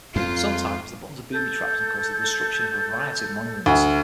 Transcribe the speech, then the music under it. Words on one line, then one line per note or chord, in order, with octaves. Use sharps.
Sometimes the buttons are booby-trapped and cause the destruction of a variety of monuments.
F2 F4
A4 G6
D2